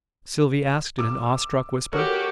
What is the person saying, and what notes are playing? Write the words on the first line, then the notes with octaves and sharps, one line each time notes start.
Sylvie asked in an awestruck whisper.
D6 E6
F#4 G4 A4 A#4 C#5